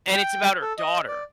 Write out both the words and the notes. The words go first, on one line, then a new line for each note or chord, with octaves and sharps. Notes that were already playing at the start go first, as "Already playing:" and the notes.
and it's about her daughter.
G5
A4
D#5
D5